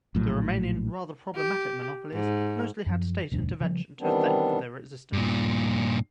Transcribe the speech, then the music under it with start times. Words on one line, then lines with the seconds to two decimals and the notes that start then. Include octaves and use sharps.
The remaining, rather problematic monopolies mostly had state intervention to thank for their existence.
0.15 A#1 A2 F#3
1.36 G4
2.13 G#2
2.86 F#2 F3
3.32 E1 D2 G2
3.61 C#3 F3 G3
4.00 D#3 E3 G3 B3 C4 D4
5.13 G2 A#2